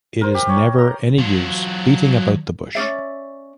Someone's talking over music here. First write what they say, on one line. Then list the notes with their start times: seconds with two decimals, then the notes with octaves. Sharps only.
It is never any use beating about the bush.
0.21 A#4 C5
0.35 G4
0.49 C#5
0.78 A#5
1.18 F#3 F4
2.75 C#4 D4 D5 E5